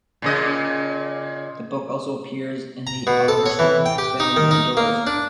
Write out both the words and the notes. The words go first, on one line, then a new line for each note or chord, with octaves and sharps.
The book also appears in the Oliver Stone film "The Doors".
A#2 C#3 D#5
A#5
B2
A4
C#5
E3
G5
G4
D#4
D#3
D#4
A#3
D4